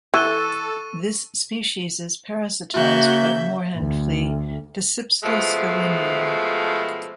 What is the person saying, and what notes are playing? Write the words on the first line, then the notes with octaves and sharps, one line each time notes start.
This species is parasitised by the moorhen flea, "Dasypsyllus gallinulae".
E3 A4 C#6 E6 F#6 D#7 G7
C#3 A#3 F#4 E5 G6
D2
B2 F3 G#3 A3